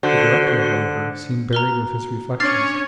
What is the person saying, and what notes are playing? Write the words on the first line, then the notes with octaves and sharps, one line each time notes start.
The director, however, seemed buried with his reflections.
D3 F#4 C5
F#4 A#5 F6 G7
C#4 D4 C#5 F6 A6 C7